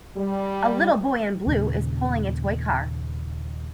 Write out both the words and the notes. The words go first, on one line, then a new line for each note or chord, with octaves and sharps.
A little boy in blue is pulling a toy car.
G3
D#2 A#2 C#3